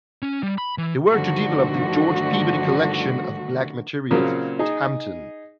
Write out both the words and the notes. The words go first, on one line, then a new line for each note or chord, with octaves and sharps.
He worked to develop the George Peabody Collection of Black materials at Hampton.
C#4
G3
B5
E3
G2 D3 D#3 F3 A3 F#4
A#2 C#3 F#3 A#3 C4
D#4 G#4